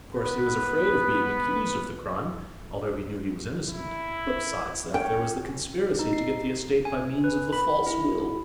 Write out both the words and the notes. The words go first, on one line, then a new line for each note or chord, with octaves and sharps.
Of course, he was afraid of being accused of the crime, although he knew he was innocent, but, besides that, there was the conspiracy to get the estate by means of the false will.
B3 B4
E4
C#4 G5
D#4
C7
G#5
B4
B5
E4